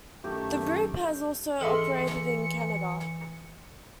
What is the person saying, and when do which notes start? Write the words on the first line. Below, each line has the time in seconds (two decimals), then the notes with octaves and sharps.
The group has also operated in Canada.
0.24 F#2 D#3 A3 G4
1.61 E3 G#4 A4 D#5 E5 C6 C#7